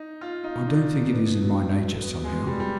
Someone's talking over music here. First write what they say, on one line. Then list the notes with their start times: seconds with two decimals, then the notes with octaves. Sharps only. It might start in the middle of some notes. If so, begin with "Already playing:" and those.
I don't think it is in my nature somehow.'
Already playing: D#4
0.21 F4
0.44 D#4
0.67 D4
1.12 B3
1.42 F#3
2.02 B3
2.24 G#3
2.47 G3
2.60 G3